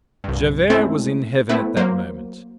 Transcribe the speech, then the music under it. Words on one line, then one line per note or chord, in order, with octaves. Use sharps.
Javert was in heaven at that moment.
C2 G2
G#3 A3 C4 C#4 E4 A4
A3 B3 C4 E4 B4
F#3 A#3 C5